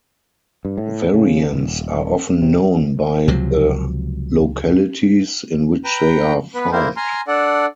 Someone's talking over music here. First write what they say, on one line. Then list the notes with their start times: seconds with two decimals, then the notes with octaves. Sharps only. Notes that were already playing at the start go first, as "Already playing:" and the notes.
Variants are often known by the localities in which they are found.
0.65 G2
0.78 A2
1.14 C#3
1.53 D#1
2.42 C3
3.28 C#2 C3 F3 F#3
5.84 B4 G5 A#5
6.55 B3 B4
6.72 A#3 E4 A#4 C5
6.97 G#5 A#5 C6 F6
7.28 D4 A4 D5 F#5